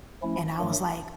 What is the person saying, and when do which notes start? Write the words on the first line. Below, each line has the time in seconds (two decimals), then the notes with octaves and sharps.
And I was like,
0.22 F3 A3 C#4 E4
0.59 G2 D#3 F#3 A3